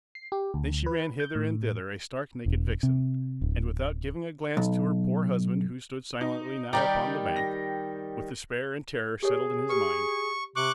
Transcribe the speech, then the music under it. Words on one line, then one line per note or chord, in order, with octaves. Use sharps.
Then she ran hither and thither a stark naked vixen, and without giving a glance to her poor husband who stood silently now upon the bank, with despair and terror settled in his mind.
C7
G4
D2
B4
G6
A2
E1
C3
D1
B1
D#4
D#3 G3 G4 D5 G5 A#5
A#6
G4 G#4 A#4 C#5
G4 B4 C#6
C3 C#6 D6 F#6